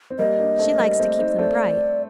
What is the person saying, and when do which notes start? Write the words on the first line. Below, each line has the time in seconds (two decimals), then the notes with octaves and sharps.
She likes to keep them bright.
0.10 C4
0.19 G3 A#3 D#5
0.39 A#3 D4
0.59 A3 C4
0.79 G3 A#3
0.99 A3 C4
1.19 C4 D#4
1.39 A3 C4 D5